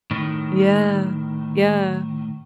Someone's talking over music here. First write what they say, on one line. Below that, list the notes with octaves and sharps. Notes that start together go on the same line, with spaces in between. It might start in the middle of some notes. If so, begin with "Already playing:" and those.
Yeah. Yeah.
A2 D#3